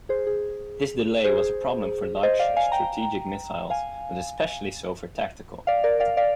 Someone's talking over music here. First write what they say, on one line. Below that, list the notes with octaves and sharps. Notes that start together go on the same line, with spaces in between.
This delay was a problem for large strategic missiles, but especially so for tactical.
G#4 C5
G#4
G#4 C5
C5 D#5
D5 F5
F5 G#5
G5 A#5
F5 G#5
D5 F5
A#4 D5
D5 F5
D5 F5